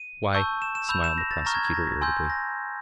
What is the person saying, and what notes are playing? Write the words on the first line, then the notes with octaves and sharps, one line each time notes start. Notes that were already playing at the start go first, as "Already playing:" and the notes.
"Why?" smiled the prosecutor irritably.
Already playing: D#7
A5 C#6 E6 G6
E7
E7
B5 E6 G6 F7
E7
A#6
A6
A#5 C#6 F6 A#6
G#6
G#6
A#6
G#5 C6 E6 G6
A#6